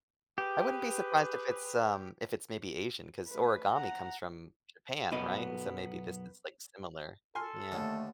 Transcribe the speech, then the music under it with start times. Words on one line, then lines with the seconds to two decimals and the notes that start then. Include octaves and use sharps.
I wouldn't be surprised if it's, um, if it's maybe Asian 'cause origami comes from Japan, right, and so maybe this is, like, similar? Yeah.
0.38 G4 G#4 B4
3.27 A3 B4
3.72 F#5 A#5
5.11 B1 F#2 B3 B4 D#5
7.35 A4 G#5 C6 F6
7.72 D#2 D3 A3